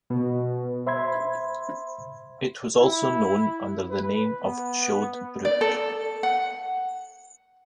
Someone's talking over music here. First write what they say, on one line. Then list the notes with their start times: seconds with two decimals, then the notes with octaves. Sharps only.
It was also known under the name of Chaud brook.
0.10 B2
0.87 C5 E5 B5 C6 G#6
2.80 E4
3.90 B4
4.41 B3
5.45 D5
5.61 A4
6.23 F#5